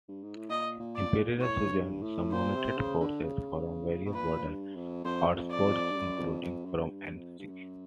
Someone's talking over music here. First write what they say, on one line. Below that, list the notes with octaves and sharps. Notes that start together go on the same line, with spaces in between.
Emperor Suzong summoned forces from various border outposts, including from Anxi.
G2
G#2
A2
A#2 D#5
A#2
D5
A#2
G#2
A2 C#5
F#2
G2
A2
A#2 C5
C3
C#3
D3
C#3
B2
A#2 B4
G2
F2
F2 C5
F2
D5
F2
G2
F#2
F2
F2
F#2
F#2
G2
F2
G2
F#2